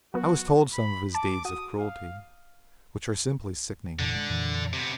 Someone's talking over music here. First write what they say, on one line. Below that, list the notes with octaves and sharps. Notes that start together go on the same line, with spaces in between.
I was told some of his deeds of cruelty, which are simply sickening.
F#3 B3 F#4
B5
A5 D6
F#4 D#6
F5
F1 A#2 D3 E3
G#3
F2 A#2 E3
C3 B3